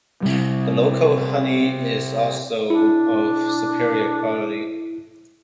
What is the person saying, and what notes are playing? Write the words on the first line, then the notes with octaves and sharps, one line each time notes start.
The local honey is also of superior quality.
C3 G3
D4 E4